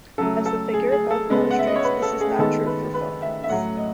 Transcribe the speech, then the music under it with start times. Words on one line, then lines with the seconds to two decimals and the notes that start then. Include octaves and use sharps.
As the figure above illustrates, this is not true for phonons.
0.18 C#3 F#3 A3 A4
0.46 A4
0.73 G#4
0.92 G#4
1.11 A4
1.29 C#3 G#3 B3
1.50 F#5
1.59 E5
1.67 D#5
1.76 C#5
1.84 B4
2.02 A4
2.21 G#4
2.39 D#3 G#3 B3 A4
2.66 B4
2.94 B4
3.22 E5
3.43 E5
3.49 A2 F#3 A3 F#5
3.77 D#5